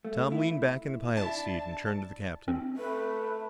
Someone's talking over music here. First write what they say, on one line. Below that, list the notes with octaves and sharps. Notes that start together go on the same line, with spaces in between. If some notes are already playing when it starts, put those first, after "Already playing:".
Tom leaned back in the pilot's seat and turned to the captain.
A3
E4
D4 E4 A5
C4
A3 B4